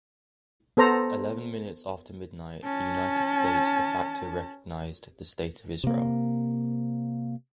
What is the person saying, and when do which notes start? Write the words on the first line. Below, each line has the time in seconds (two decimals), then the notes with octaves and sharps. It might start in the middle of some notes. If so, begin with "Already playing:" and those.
Eleven minutes after midnight, the United States "de facto" recognized the State of Israel.
0.77 B3 A4 C5 A#5
2.64 C#4 A5
5.84 C3 A#3